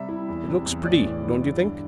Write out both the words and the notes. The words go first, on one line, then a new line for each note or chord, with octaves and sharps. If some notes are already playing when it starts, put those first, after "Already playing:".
It looks pretty, don't you think?
Already playing: C3 G3 E5
E4
E2
C3
E2
A2 D5
E3
E4
G2
D3